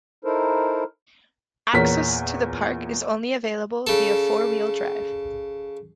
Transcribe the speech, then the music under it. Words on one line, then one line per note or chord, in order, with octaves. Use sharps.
Access to the park is only available via four-wheel drive.
D#4 E4 A4 A#4 C5
E2 A#2 A#4 C#5 B6
C#3 A4